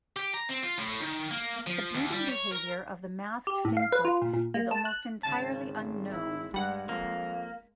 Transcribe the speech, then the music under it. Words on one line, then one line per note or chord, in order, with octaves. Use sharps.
The breeding behaviour of the masked finfoot is almost entirely unknown.
G4
A#5
C4
F4
A2
D#3
A#3
F3
D#2
G3
C#5
A#4
G4
A2
F5
B4
F4
A#2
A#2
A#3
A5
F#6
G#1 C#3 A5
E4
G2 G3 G#3 F#5
F2 A#3